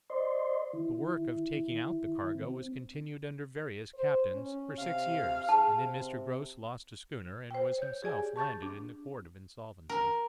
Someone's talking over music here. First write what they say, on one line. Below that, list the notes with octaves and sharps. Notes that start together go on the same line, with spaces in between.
The work of taking out the cargo was continued under various captains for six years, and then Mr. Grose lost a schooner and was himself landed in the Court of Insolvency.
C5 D5 D#5 C6
D#3 E4
C4
C5
C#4
C3 F5
G#4 A5
C3
C5 G5
C#5 G6
G4 G#4 D5 G#5
A5 C#6 G6 A6
D4
A#4